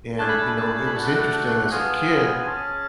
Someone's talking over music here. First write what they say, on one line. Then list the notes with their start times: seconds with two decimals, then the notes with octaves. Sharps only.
and, you know, it was interesting as a kid,
0.18 A3 D4 G#4 A5
0.29 B5
0.38 A5
0.48 B5
0.57 A5
0.67 B5
0.76 A5
0.86 B5
0.94 A3 D4 F#4 A5
1.05 B5
1.15 A5
1.71 B3 F4 G#4
2.36 G#5
2.46 C#4 G#4 A5